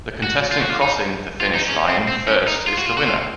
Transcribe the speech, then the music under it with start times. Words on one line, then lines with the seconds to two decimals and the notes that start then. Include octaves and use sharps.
The contestant crossing the finish line first is the winner.
0.24 F#4
0.52 F4
0.60 F#4
0.70 F4
0.82 D#4
1.41 F4
1.55 D#4
1.69 C#4
1.89 C4
2.08 C4
2.28 C#4
2.48 D#4
2.67 F4
2.78 F#4
2.86 F4
2.98 F#4
3.06 F4